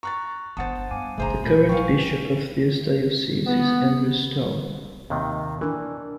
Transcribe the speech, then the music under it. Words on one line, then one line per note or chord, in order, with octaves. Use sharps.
The current bishop of this diocese is Andres Taul.
A#5 C#6 F#6 A6
G1 B3 C5 F#5 A5 D#6 A6
G2 F5 G#5 D6
G1 C2 A3 G#4 C5 G#5 A#5
A#1 F3 G#3 A#3 B5 G6
F5 G5 G#5 C#6
B3
D#2 C3 D#3
E3 D4 A#4